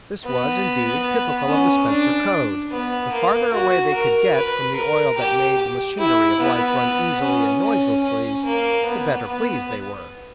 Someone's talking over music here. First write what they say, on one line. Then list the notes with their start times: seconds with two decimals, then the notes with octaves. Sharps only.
This was, indeed, typical of the Spencer code--the farther away they could get from the oil that made the machinery of life run easily and noiselessly, the better pleased they were.
0.25 B3
1.47 C#4
1.89 D4
2.72 B3
3.12 A#3
3.53 F#4
3.94 A#4
4.34 B4
4.76 A#4
5.17 G4
5.99 E4
6.40 B3
7.22 C#4
7.63 C#4
8.03 C#4
8.45 A#3
8.86 B3
9.27 B3